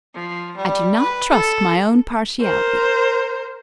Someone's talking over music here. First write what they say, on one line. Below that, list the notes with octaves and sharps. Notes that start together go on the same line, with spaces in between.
I do not trust my own partiality.
F3
G3
B4
A4
A#4 C5